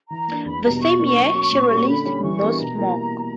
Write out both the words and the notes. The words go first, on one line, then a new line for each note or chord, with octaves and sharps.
The same year, she released "No Smoke".
E3 A#5
A#3 D4
E2 B5
B2 G3 B3 A#5
B2 C#6
A#3 D4 A#4
F#3
C#4 F#4
A#2
G3 A#3 C#4 F#4
D3 B5
G3 C#4 G4
E3 C#6
G3 B3 D4 A#4
B2 A#5
G3 A#3 E4 A#4